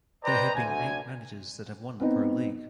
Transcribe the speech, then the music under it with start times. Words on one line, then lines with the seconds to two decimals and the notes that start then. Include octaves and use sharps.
There have been eight managers that have won the Pro League.
0.24 B4 C5 D5 D#5 G5 A#5
0.54 D2 G#5
2.00 B3 C4 D#4